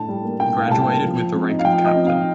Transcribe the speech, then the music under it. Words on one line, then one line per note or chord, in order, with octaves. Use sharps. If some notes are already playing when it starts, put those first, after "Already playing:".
He graduated with the rank of captain.
Already playing: A2 D4 A5
G3
A#3
D4 G5
A2 F5
G3 A5
G5
A#3
F3
F3
C4
D#4
F5
F3 G5
F3 D#5
C4
F5
D#4